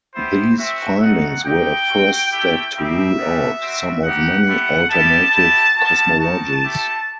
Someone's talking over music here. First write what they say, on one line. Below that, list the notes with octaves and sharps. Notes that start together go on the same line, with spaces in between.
These findings were a first step to rule out some of many alternative cosmologies.
B3 E4 G4 C5
C4 F#4 E5
A3 D#4 F#4 F#5
C4 D#4 G4 G5
C4 F#4
A3 E4 G4
G3 C4 D#4 G4 E5
G3 B3 F#4
G3 C4 F#4
G3 D#4 G4 F#5
A3 E4 G4
G3 B3 E4 G4 A5
B3 E4 G4
G3 B3 F#4 A5
G3 D#4 F#4 A5
A3 E4 G4